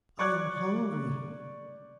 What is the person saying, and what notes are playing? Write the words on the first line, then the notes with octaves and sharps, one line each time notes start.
"I am hungry."
D5 C#6 D6 F#6 G#6